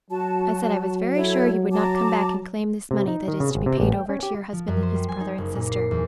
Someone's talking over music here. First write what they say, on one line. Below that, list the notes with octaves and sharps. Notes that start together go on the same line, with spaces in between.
I said I was very sure he would not come back and claim this money that is to be paid over to your husband and his brother and sister.
F#3 F#4 A5
E4 A4 C#5
A5 A#5 D6
C3
D#4
D#3
C#3
G#1
C3
A1
G5
C#4
G4
F3
F#2
C5
G3
G#5
D#4
F#1
A#2
C7
E2